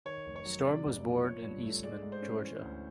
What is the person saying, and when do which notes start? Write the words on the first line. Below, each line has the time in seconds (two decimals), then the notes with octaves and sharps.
Storm was born in Eastman, Georgia.
0.05 D#3 C#5
0.26 F1
0.36 C#5
0.45 F#3
0.65 C3 D5
0.85 F1
1.04 F3
1.24 F3 C#5
1.44 G2
1.63 A3
1.84 G#3 D5
2.02 G#2
2.12 C5
2.22 C#4
2.42 E3
2.61 D2